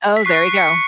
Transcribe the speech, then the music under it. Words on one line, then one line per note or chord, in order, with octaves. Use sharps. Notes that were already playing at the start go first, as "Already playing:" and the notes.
Oh, there you go.
B6
C#6 F#6 C7
C7
C#7